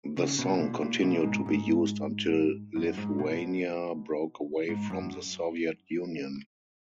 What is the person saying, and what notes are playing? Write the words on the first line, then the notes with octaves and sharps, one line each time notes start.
The song continued to be used until Lithuania broke away from the Soviet Union.
C#3
B2
A#2
A#2
B2
G#2
G#2
F#2
G#2
B2
G#2
F#2